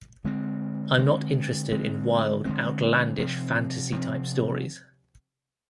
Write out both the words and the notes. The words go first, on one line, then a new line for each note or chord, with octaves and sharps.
I'm not interested in wild, outlandish, fantasy-type stories.
D3 G#3 C4
D3 G#3 C4
D3 G#3 C4
D3 G#3 C4
C3 F3 C4
C3 F3 C4